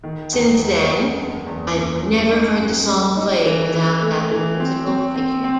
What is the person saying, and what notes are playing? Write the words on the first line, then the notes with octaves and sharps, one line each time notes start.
Since then, I've never heard the song played without that musical figure.
D#3
E2
E1
E2
F#1
E2
F#1
F#1
D#4
A1
G#3
D#4
E3
E3
A3
E3
C4
C4
C4
C4